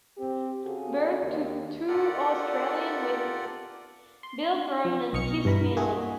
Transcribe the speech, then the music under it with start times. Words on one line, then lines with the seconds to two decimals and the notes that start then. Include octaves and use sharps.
Burke took two Australian wickets - Bill Brown and Keith Miller.
0.18 C4 G4
0.65 C#3 F#4 G#4 A4
1.22 D#2
1.88 F4 G4 A4 A#4 D5 F#5
4.23 C6
4.85 F3
5.13 B1 D#5 C#6 F6 C#7
5.45 G2 E3 A#5 B5
5.77 A#3 F#4 G#4